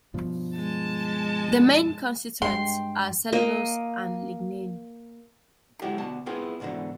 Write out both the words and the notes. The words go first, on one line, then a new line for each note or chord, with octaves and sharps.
Their main constituents are cellulose and lignin.
G2 B2 F3
G#3 A5
G2 G#3 G5 C6
A#3 D#5
F#3 G#3 A3 E4 G4
D2 B2 A5
B3 C4 E4 F4 G#4 B4
D2 G#2 B2 D3 E3